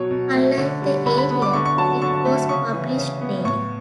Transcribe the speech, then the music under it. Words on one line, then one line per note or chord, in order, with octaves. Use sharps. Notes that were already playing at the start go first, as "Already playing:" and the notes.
Unlike the "Ariel", it was published daily.
Already playing: B2 F#3 C#5
B2
A3
D3
G3
D3 B5
B5
B3
D6
D3 C#6
C#6
F#3 A5
D3 C#6
A3
C#3 C#6
E3
C#3
B3
A2 C#6